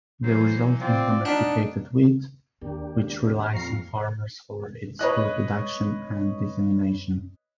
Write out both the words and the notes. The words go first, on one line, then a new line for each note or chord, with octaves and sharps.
The result is domesticated wheat, which relies on farmers for its reproduction and dissemination.
E3 F#3 C5
C4 F4 D5
D4 D#4 F#5 A5 F6 B6
D#2 A#3 D4 G4
F2 A#2 A#5 C#6 F6 C7
B4 C#5 D#5 F#6